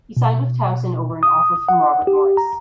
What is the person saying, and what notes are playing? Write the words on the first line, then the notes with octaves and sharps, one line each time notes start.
He signed with Towson over an offer from Robert Morris.
B2
D#6
F#5
G4
A#5